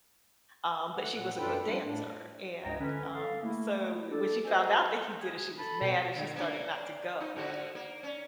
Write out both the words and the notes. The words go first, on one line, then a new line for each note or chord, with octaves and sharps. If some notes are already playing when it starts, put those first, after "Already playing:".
um, but she was a good dancer, and, um, so when she found out that he did it, she was mad and she started not to go
A3 F#5
A#2 F#5
F#2 D4 F4 A4 B4 G5
F3 G3 A#3 D4
A2 D4
C#2 G2 D#5 G5 A#5
D3 C#4 B4
A4 F5
A3 A#3 E4
D4 A4
F#4 G#4 A#4 C5 D#5 G#5
G#4
A4 B5
B2 G5
D3
A#3 C#4 D4
D#4
G#2 D3 F#4
A#3
C#4